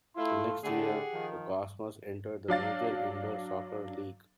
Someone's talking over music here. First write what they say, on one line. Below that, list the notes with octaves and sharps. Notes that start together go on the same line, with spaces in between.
The next year, the Cosmos entered the Major Indoor Soccer League.
A3 E4 F4 C6
D3 A3 G4 G#4 F#5
D#3 F3
F#3 D4 F5 A6